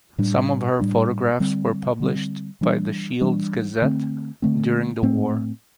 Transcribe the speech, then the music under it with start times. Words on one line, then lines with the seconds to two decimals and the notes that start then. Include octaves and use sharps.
Some of her photographs were published by the Shields Gazette during the war.
0.18 A2 G3 D4
0.80 A2 G3 D4
1.40 D3 G3 C4
2.00 D3 G3 C4
2.61 E3 G3 D4
3.21 E3 G3 D4
3.82 D3 A3 C4
4.42 D3 A3 C4
5.03 A2 A3 C4